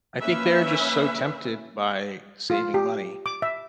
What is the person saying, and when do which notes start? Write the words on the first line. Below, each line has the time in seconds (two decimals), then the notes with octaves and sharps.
I think they're just so tempted by saving money
0.21 A#3 C#4 B4 E5
2.50 F4
2.74 G4
3.26 D6
3.42 E5